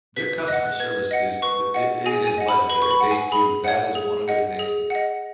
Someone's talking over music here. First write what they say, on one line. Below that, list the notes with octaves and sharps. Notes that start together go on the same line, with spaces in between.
Their customer service is th it it is legendary. They do. That is one of their things that
B4 B6
F#6
D#5 F#5
F#6
B4 G#6
D#5 F#5
B4 C#6
D#5 F#5
G#4 G#5
G#5
D#5 F#5
B5
B4 B5
C#6
B5
F#5
G#5
G#4 B5
C#5 F#5
G#4
D#5 F#5
G#4
D#5 F#5